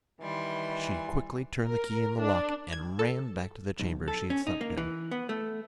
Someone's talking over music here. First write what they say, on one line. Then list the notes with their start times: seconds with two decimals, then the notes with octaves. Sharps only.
She quickly turned the key in the lock, and ran back to the chamber she had slept in.
0.20 D#3 E3 G3 C6
1.66 A#4
2.21 D4
2.72 G#6
2.99 A4
3.79 B1
4.08 A4
4.30 C#4
4.47 D#4
4.61 A#3
4.77 E3
5.11 B3
5.29 A3